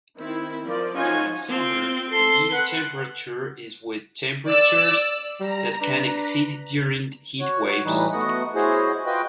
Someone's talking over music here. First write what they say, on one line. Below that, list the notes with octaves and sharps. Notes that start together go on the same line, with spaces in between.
During summer, the mean temperature is with temperatures that can exceed during heat waves.
D#3 C4 E4
F3 A#4 D5
F3 C#4 D#4 F4 F#4 G#5
C4 F4
A4 C6
B4 F#5
D5 E6
G3 A#5
D4 B4
F#4 C#5
A2 E3 G3 D#4 B4
A3 B3 F#4 D#5 F#5
E4 F#4 G#4 C5 C#5 D#5
F4 F#4 B4 D#5 G5